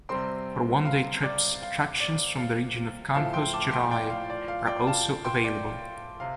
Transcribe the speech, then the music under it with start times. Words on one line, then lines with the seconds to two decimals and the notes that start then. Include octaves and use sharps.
For one day trips, attractions from the region of Campos Gerais are also available.
0.09 C3 G3 C4 G5 C6
0.85 F5
1.23 D5
1.62 F5
2.00 D5
2.39 F5
3.14 A2 F3 A3 F5 A5
3.33 G5 C6
3.53 A5 D6
3.72 G5 C6
3.91 D5 G5
4.10 F5
4.30 D5
4.48 F5
4.67 D5 G5
4.87 F5 A5
5.25 G5 C6
5.44 D5 G5
6.20 C3 F5